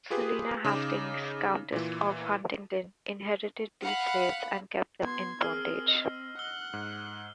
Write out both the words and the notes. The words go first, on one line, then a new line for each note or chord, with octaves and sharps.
Selina Hastings, Countess of Huntingdon inherited these slaves and kept them in bondage.
F4 G4 G#4 B4 D#6
C#3 D#4 D6 E7
A#2 E3
F5 F#5 B5
B3 C6 G#6
C4 G#4 A#4 E6 F6 C7
D#5
F#5 E6 F#6 G7
G#2